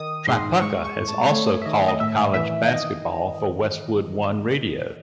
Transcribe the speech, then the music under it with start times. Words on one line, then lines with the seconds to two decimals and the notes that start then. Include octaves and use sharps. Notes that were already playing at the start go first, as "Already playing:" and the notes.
Tripucka has also called college basketball for Westwood One radio.
Already playing: D#3 D#6
0.27 G#2 C6
0.62 G#3 C#6
0.85 C#6
0.97 A2
1.08 A5
1.30 A3 C#5
1.62 E5
1.65 D#3 D#5
1.88 D#5
2.00 A2 E5
2.34 E3 E5
2.68 D#3 D#5